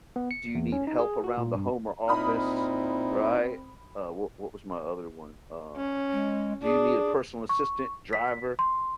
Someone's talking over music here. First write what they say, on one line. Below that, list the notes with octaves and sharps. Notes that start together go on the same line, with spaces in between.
Do you need help around the home or office, right? Uh, wha what was my other one? Um, do you need a personal assistant, driver,
B3
C#7
E2
C#4
D#4
G#4
F#4
A#2
G2
A#2 C4 D#4 E4 B5 D#6 F6
C#4
G#3
D4 G#4
C#6
B6
C6